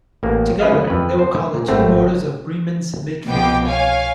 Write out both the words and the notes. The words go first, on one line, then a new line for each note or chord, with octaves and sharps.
Together, they were called the "two motors of Bremen's midfield".
A1 A#3
C#4 B4 D#5 F5
F2 B4
C5
A#2
G#1 A2 A3 C4
C2 B2 F3 B3 G5 D6
C#5 F5 G#5